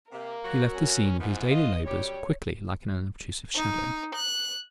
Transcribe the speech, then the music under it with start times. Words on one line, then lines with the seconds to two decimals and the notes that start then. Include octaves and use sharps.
He left the scene of his daily labours quickly like an unobtrusive shadow.
0.12 C3 A#3 A#4
0.44 F#3 F#4
0.73 C#4
1.20 G#2 E3 F3 B3
1.51 F4 D#5
1.86 F#2 G3 G4 C#5
3.55 D#4
4.15 F#6